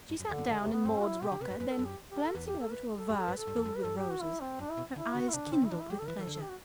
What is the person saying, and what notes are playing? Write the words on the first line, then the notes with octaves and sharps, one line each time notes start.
She sat down in Maude's rocker, then, glancing over to a vase filled with roses, her eyes kindled with pleasure.
G2
F#2
E2 D3
F#2
G2 D3
C3
E2
B3
G2 C4
F#4
E4
B2 G4
D3
C3 B4
G2
F#2 B4
A4
F#2
G4
G4
A4
E2 B4
G4
A4
B4
A4
F#2 G4
A4
G2 B4
A4
G2
E2
F#2
B4
G2 A4
G4
F#4
E4
C4
F#2 D4
E4
B2
D3 E4
D3 F#4
E4
C3 D4
D3
C3 C4
D3
E4
E3 D4
E4
F#3 G4
D3 A4
E3 B4
E3 A4
D3
A4
G4
F#4